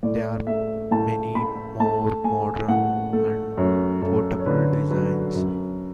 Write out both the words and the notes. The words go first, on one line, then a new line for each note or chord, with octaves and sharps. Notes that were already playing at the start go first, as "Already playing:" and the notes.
There are many more modern and portable designs.
A2 D5
A3 E5
A2 A5
A3 B5
A3 A5
A3 G#5
A2 F#5
A3 A4
F#2 C#5
F#2 A4
C#5
D3 B4
F#3 B4
F#2